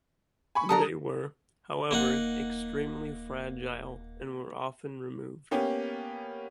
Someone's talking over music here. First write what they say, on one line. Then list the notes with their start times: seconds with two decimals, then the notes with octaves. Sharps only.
They were, however, extremely fragile and were often removed.
0.55 G#5 B5 C#6
0.69 D3 G3 A4 A#4 A#5 D#6
1.91 D#1 A#3 D#4 F#5
5.51 A#3 B3 C#4 G4